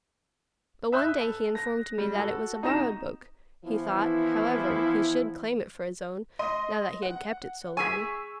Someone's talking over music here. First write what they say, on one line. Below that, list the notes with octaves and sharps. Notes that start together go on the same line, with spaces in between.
But one day he informed me that it was a borrowed book; he thought, however, he should claim it for his own, now that he had kept it so long.
E5 B5 D#6 F#6 G6
A4
A#6
G3
F#4 A4
C3 D#4 F#4 A#5 A#6 E7
E3 F3 B3 E4
D#5 C6 D#7
F#5
G#4 G#5 C#6 E6 B6